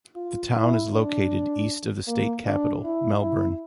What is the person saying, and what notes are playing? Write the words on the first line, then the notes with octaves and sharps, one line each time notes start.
The town is located east of the state capital, Melbourne.
F4
E4
D4
A#3
D4
E4
E4